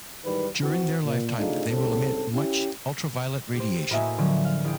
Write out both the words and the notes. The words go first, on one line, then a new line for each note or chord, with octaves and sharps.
During their lifetime, they will emit much ultraviolet radiation.
G#2 D#3 E3 G3 B4
E3 C4 F#4
A#2
C3 A3 D4 D#4 F4 G#4
C2 G#2 C#3 C4 A4
C#4 E4 G4
G4 C5
A2 A#3 F#4 D#5 E5 G#5
D3 F3 F#3
F5
A1 G#4 G5